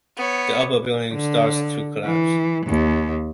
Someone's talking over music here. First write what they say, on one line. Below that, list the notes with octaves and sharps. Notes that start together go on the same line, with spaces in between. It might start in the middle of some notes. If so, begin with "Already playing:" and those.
The upper building starts to collapse.
B3 C#5
D3
E3
D#2